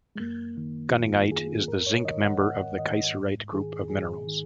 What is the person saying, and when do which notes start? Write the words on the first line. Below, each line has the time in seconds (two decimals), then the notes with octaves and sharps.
Gunningite is the zinc member of the kieserite group of minerals.
0.16 G#3
0.20 F#2 A#3
0.57 D#3
0.94 F#2 F4
1.31 D#3 G#4
1.68 G#2 A#4
1.87 C#5
2.05 D#3 D#5
2.23 F#5
2.41 G#2 F#5
2.79 D#3 D#5
3.15 G#2
3.52 D#3 G#4
3.90 G#2 G#4
4.27 D#3